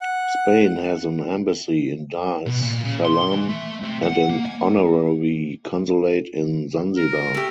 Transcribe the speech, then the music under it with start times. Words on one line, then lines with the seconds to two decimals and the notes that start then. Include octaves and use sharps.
Spain has an embassy in Dar es Salaam and an honorary consulate in Zanzibar.
0.01 F#5
2.47 B2
2.63 A#2
2.84 C#3
3.05 C6
3.32 E3
3.49 A3
3.83 C3
4.04 F#5
4.30 A#3
4.46 G#5
6.97 A#4
7.34 A3 G4